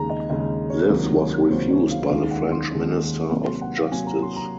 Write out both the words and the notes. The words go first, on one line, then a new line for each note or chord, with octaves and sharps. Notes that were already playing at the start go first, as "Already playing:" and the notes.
This was refused by the French Minister of Justice.
Already playing: D#2 C#3 G#3 A#5
D#5
D#2 C#3 G#3 D#5
C#5
C#2 C3 D#3 F#3 A#3
C#2 C3 D#3 F#3 A#3 C5
C#5
F5
D#2 D#3 G#3 C#4 F5
F#5
C6
D#2 D#3 G#3 C#4
C3 F#3 A#3
C6
F#5
F5
C3 F#3 A#3 G#5
A#5
C6
A#5